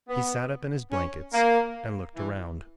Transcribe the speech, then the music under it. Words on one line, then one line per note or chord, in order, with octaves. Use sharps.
He sat up in his blankets and looked around.
B3
C#4
A#3
E3